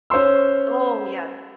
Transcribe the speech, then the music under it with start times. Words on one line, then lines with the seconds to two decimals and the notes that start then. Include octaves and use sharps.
Oh, yeah.
0.10 C#4 C5 C#5 C6 E6